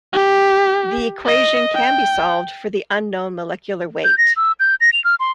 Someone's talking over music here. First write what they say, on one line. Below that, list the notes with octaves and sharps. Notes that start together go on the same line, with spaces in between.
The equation can be solved for the unknown molecular weight.
G4
D#5
G5
G6
A#6
E6
G6
A#6
F7
F6
C6